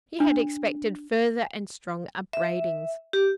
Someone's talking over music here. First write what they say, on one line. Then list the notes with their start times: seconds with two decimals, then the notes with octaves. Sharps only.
He had expected further and strong upbraidings.
0.20 D4
2.33 E5
3.13 G4